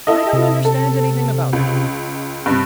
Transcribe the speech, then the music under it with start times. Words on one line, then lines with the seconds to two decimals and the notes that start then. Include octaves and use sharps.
I don't understand anything about it.
0.07 E4 A4 D#5
0.33 C3
0.65 A4
1.53 C#2
2.46 G2 C3